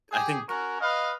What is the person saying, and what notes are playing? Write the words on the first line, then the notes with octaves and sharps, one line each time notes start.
I think
G4 G#4
C#4 F#4 A#4
B4 D#5 F5